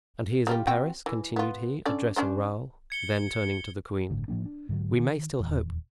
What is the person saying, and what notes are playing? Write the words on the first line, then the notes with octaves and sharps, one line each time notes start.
And he is in Paris?" continued he, addressing Raoul; then turning to the queen: "We may still hope.
G3 F4 G4
C4 F#4 G5
E3
B3 F4
D3 C#4 D5
C#4 D4 C5
G#6 C#7 G7
G1 A2 D3
A2 F3 A#3 D4
D4
G#2 D3 F#3
D#3
D#1 E2